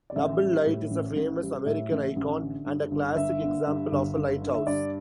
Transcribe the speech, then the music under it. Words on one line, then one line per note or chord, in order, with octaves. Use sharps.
Nubble Light is a famous American icon and a classic example of a lighthouse.
D5
A1 E5
G3
A2
A1
A1
G3
A2 E5
A1
A1
D3
G2
G1
G1 E5
D3
G2
G1
G1
D3
E5
G2 D5